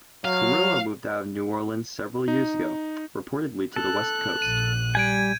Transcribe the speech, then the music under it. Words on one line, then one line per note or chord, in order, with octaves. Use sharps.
Carrillo moved out of New Orleans several years ago, reportedly to the West Coast.
F#3 F5
D#4
A4 F#6
A#1 D#7
G3 G#5 G6 G#6 D7